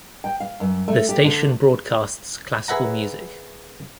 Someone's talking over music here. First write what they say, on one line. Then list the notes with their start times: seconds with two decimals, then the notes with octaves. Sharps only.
The station broadcasts classical music.
0.24 G5
0.40 F5
0.60 F#2
0.88 A3
1.09 G4
1.24 D3
2.68 G#4 B4 E5 F#5 A#5